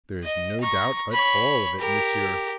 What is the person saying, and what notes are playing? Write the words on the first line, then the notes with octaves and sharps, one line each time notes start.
"There is no doubt at all of it, monsieur."
D#5
A#5 C#6
C#5 B5
G4 A#4